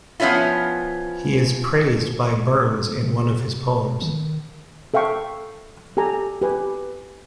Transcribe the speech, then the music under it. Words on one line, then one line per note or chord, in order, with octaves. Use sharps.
He is praised by Burns in one of his poems.
F3 B3 C#4 E4 F4
C3
D#3
A4 E5 F5 G5 C#6
G4 A4 G#5 A#5
G4 B4 G#5